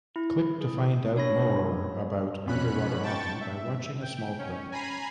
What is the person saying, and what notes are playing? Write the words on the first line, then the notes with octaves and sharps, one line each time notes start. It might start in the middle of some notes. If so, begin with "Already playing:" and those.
Click to find out more about Underwater Hockey by watching a small clip.
E4
G#4
D4 C#5 B5 A#6
F2 B2 C#4 B5 F#6
G5 A5 C#6 A6
E5
G5
C#4
G#5 A#5 B5 C7 D#7